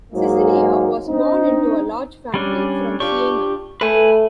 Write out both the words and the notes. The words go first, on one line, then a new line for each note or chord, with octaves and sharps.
Cecilia was born into a large family from Siena.
G#2 F#3 G#3 A#3 D#4
C4 D4 D#4
G3 C#4 D4
D4 F4 G4 C#6
A3 B4 G#5